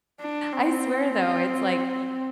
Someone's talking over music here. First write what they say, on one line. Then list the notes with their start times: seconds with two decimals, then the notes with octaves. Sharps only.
I swear, though, it's, like
0.21 D4
0.53 C4